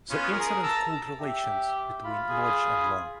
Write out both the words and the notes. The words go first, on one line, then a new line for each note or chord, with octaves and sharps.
The incident cooled relations between Lodge and Long.
B3 C#4 F4
G#4 A#4
A5 A#5 E6
G4 E5
F4 B5
G#4